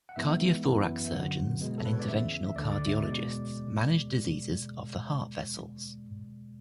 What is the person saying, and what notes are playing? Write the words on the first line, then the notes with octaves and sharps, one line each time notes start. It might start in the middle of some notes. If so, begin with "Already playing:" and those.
Cardiothoracic surgeons and interventional cardiologists manage diseases of the heart vessels.
F#5
G#2 E3 G#3 B3 E5
F#2 E3 B3
E5
F#2 D3 F#3 F#5
B2 G#3 B3
A4
B4
C#5
D5
E2 C#3 E3 E5
E5
D2 D3 A3 D5
D5
E5
E2 B2 G#3 D5